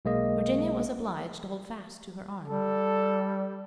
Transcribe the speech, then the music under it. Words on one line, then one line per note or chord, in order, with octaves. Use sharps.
Virginia was obliged to hold fast to her arm.
B1 G#3 A#3 D#5
G3 A4